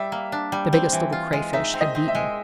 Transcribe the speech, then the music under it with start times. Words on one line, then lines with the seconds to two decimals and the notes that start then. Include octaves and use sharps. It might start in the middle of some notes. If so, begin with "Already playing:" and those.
The Biggest Little Crayfish had beaten.
Already playing: G3 E5
0.12 A#3
0.32 D4
0.52 G3
0.73 C4
0.93 E3
1.12 F4
1.33 G#3
1.53 D#4 E5
1.73 C4
1.81 D#5
1.95 C4
2.08 E5
2.15 G#3